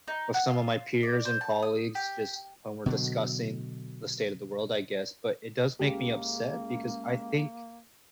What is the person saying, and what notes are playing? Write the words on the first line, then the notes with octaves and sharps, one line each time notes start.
with some of my peers and colleagues just when we're discussing the state of the world, I guess, but it does make me upset because I think
D#4
F#5
F4
D5
C5
A5
D#6
G4
B2 D3 F#3
C#2 A#3 G4